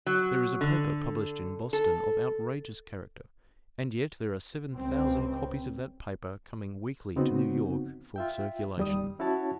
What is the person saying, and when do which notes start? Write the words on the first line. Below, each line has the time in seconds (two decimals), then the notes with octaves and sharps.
There is a paper published in Boston of outrageous character, and yet there are seven thousand copies of that paper coming weekly to New York for circulation.
0.06 F#3
0.61 D3
1.73 A4
4.74 C#2 C4
7.16 C#3 B3 C4 D#4 F#4
8.16 F4 E5 G5
8.78 D#2 G3 D#6
9.19 C#4 E4 F#4 C#5 A5